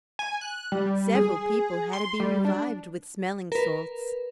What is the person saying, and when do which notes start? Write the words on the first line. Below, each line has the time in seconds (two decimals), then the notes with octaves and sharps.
Several people had to be revived with smelling salts.
0.19 G#5
0.41 F#6
0.72 G3
1.15 G#4
1.93 C6
2.20 G3
2.45 D4
3.52 A#4 B4